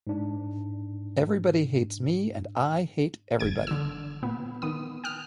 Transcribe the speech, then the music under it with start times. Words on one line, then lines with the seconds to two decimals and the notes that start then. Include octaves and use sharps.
Everybody hates me, and I hate everybody!
0.07 G#2 D4
3.39 G1 E2 G#6 D7
3.67 D3 E6
4.22 A#2 B3
4.62 D#3 B3 D#6
5.04 G5 D#6 F6